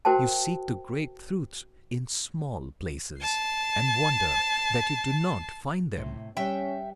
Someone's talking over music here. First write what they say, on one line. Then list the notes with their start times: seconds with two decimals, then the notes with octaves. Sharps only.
You seek the great truths in small places, and wonder that you do not find them.
0.05 F#4 A#4 C5 G5 A5
3.21 A5 C7
5.97 A2 C3
6.37 G3 C#4 B4 C#5 E5 G5